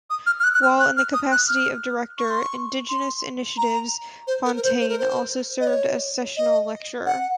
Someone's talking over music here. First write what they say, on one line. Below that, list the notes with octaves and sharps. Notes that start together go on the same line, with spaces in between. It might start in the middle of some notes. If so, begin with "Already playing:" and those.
While in the capacity of Director, Indigenous Initiatives, Fontaine also served as Sessional Lecturer.
D#6
F6
F6
F#6
F#6
F6
F#6
F6
D#6
F#6
F6
C#6
C6
C#6
C6
A#5
C5
A#4
A#4
C5
C5
A#4
C5
D#5
C#5
D#5
F#5